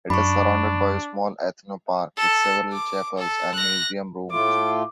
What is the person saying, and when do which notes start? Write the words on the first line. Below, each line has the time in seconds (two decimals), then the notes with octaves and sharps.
It is surrounded by a small ethno-park with several chapels and museum rooms.
0.10 F#2 D4 B5 C#6
2.17 A4
2.73 D6
3.18 A4
3.54 F#6 A#6
4.31 A2 A3 F4 D6